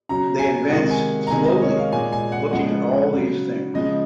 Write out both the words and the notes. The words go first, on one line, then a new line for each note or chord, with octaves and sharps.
They advance slowly, looking at all these things.
C#3 F#3 A#5
G#5
C3 D#3 G#3 F#5
G#5
A#5
C3 D#3 G#3 G#5
D#5
C#5
F5
A#2 G#3 G#5
G#5
F#5
C#3 F3 G#3 F#5
C#3 F#3
C#3 F3 G#3 D#5